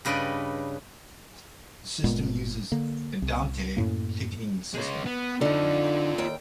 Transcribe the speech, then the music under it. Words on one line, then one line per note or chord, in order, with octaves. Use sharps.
The system uses the "Andante" ticketing system.
G2 C#3 B4 D5 D#5 B5
G1 A#2 G#3 B3
D3 A#3
C2
F#2 A2 A#3
G#3 C#4
B3
D3 D#4 F4 A4
D#2 G5